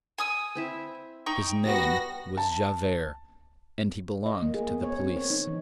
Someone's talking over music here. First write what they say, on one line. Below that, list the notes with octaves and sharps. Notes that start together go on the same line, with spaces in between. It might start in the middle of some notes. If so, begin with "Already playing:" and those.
His name was Javert, and he belonged to the police.
G#5 D#6 E6
C4 E4 E5
D#4 G5 C#6
G3 B3 F#4 A#6
A5
D#5
A#3
G#4
B3
C#5
C4
C#5
D#4
E3